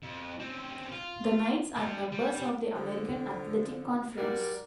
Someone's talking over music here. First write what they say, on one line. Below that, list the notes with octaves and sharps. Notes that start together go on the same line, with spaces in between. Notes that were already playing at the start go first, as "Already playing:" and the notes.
The Knights are members of the American Athletic Conference.
F2
C4 C#4
F4
G3 D4
G3
D3 F3
G#2 F#3 G3 A#4 D5